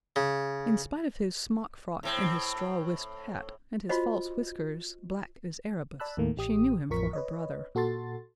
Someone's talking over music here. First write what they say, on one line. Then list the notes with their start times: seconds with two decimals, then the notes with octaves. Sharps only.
In spite of his smock-frock and his straw-wisped hat, and his false whiskers, black as Erebus, she knew him for her brother.
0.16 C#3
2.03 A2 C4
3.89 F4 F#4 C5 D#5
6.00 D5 A5 B5 E6 F#6
6.17 D#2 A2 D#3 A3 A#3
6.37 A1 G4 D#6
6.90 A1 F2 F3 A#4 C#6 B6
7.13 B4 C#5 D#5
7.75 A#2 F#4 A4 C6 A6